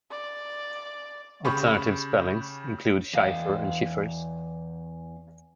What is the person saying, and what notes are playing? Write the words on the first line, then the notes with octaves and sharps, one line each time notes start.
Alternative spellings include Schifer and Schiffers.
D5
C#3 G4 B5 C#6
E2 F5